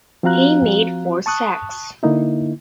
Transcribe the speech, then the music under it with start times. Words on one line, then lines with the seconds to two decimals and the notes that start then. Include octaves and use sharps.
He made four sacks.
0.23 F3 C4 F#4 F5 A#5 F#6
1.26 A5 C#6 D#6 F#6
2.03 D3 A#3 D#4 E4